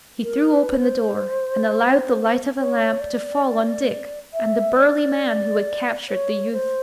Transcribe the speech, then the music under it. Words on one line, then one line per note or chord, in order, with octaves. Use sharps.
He threw open the door and allowed the light of a lamp to fall on Dick and the burly man who had captured the youth.
A#4
B4
C5
C#5
D5
E5
D5
C#5
C5